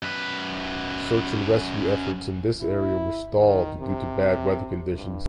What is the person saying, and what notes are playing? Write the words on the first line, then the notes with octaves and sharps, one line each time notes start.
Search and rescue efforts in this area were stalled due to bad weather conditions.
F#2 B4
E4
D#3
C3
G2